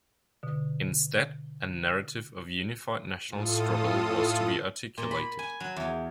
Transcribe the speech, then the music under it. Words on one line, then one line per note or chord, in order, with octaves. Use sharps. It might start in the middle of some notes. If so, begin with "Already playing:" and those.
Instead a narrative of unified national struggle was to be articulated.
B2 D3
A2 F4 A4 D#6
A#2
B5
G#5
F#3
E2